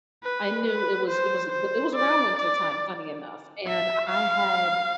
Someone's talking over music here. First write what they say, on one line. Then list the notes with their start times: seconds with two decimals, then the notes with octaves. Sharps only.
I knew it was it was th it was around wintertime, funny enough, and I had
0.24 B4
0.67 B4
1.09 C5
1.52 C5
1.96 D5
2.39 D5
3.67 E5
4.10 F5